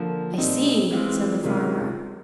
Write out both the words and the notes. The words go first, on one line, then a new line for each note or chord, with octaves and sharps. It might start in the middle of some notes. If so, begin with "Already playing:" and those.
"I see," said the farmer.
Already playing: D3 F3 A#3
A#2 G3 C4 D#4
E3 G#3 C4 F4
C3 D#3 G#3 C#4 F4